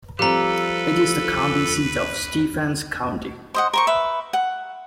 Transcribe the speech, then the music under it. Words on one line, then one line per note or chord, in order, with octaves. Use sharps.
It is the county seat of Stephens County.
F3 G3 C4 G4 A4 B4 A#5
C5 D#5 F#5
A#4 C5 C#6
B4 E5
F#5